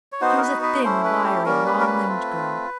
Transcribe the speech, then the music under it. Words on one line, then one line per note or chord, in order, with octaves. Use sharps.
She was a thin, wiry, long-limbed girl.
C#5
B3 D#4 F#4 C5
A#4
B4
B4
A3 C#4 E4 C5
B4
G4
G3 A#3 C#4 A#4
B4
A#4
B4
A3 C4 F4